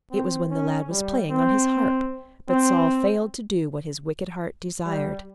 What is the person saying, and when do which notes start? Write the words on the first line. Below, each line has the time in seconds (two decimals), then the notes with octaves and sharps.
It was when the lad was playing on his harp. But Saul failed to do what his wicked heart desired.
0.11 C4
0.51 C#4
0.90 G3
1.30 C4
2.49 C4
4.85 G3